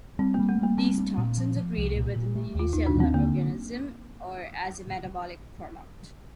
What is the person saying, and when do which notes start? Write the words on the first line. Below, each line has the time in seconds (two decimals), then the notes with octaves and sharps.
These toxins are created within the unicellular organism, or as a metabolic product.
0.19 G3 C4
0.34 A#3
0.39 G3
0.49 A3
0.59 G3 A#3
0.78 G3 C4
0.98 D4
1.18 A#2
1.38 F3
1.56 F3
1.77 C2
1.96 A#2
2.16 A#2
2.35 A3
2.55 D#2 F4
2.73 D#2 D#4
2.87 D4
2.95 D#2
3.00 C4
3.14 D3 A#3